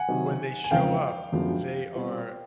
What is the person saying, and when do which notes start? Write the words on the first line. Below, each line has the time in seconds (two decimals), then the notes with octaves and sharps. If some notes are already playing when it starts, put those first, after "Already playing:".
w when they show up, they are
Already playing: F#5 G#5
0.08 C3 D#3 F#3
0.64 G#5
0.71 E2 C#3 F3 G#3 C4 F5 G5
1.32 F#2 D3 F3 G#3 B3
1.95 B2 G3 C4 F4